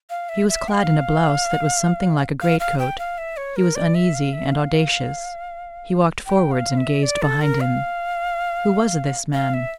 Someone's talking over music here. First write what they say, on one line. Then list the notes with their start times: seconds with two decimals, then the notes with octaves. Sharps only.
He was clad in a blouse that was something like a great coat; he was uneasy and audacious; he walked forwards and gazed behind him. Who was this man?
0.10 F5
0.29 E5
0.49 E5
0.68 G5
0.72 F5
2.41 F5
2.60 F5
2.79 G5
2.98 F5
3.18 E5
3.37 C#5
3.56 A#4
3.75 D5
3.95 E5
4.15 F5
4.33 E5
4.52 F5
6.26 G5
6.51 F5
6.77 E5
7.03 D5
7.22 A4
7.41 A#4
7.61 F5
9.33 F5
9.54 E5